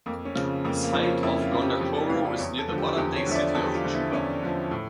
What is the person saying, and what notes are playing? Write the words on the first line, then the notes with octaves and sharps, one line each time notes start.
The site of Gondokoro is near to the modern-day city of Juba.
F2 A#3
C#4
C#3 F3
F2 A#3
A#3
C#3 F3
C#4
F2 E4
F4
C#3 F3
G4
F2 G4
D5
C#3 F3 F5
D5
E2 C#5
A4
D3 F3
G4
E2 G4
C#5
D3 F3 E5
D5
E2 A4
G4
F4
D3 F3
E4
E2 C#4
D3 F3
A2